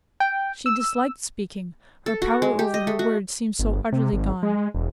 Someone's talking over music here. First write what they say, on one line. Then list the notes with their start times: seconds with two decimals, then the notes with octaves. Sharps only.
She disliked speaking, her power over her words seemed so utterly gone.
0.20 G5
0.66 E6
2.06 A4
2.22 F#4
2.42 G#3
2.59 G4
2.74 D#5
2.87 A3
2.99 F#4
3.59 G1
3.92 C3
4.13 G#1
4.43 G#3
4.74 E1